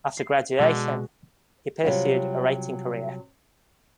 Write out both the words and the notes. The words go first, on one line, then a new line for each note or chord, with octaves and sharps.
After graduation, he pursued a writing career.
C7
B2 D3 G#3 F#4
C3 F#3 G3 F4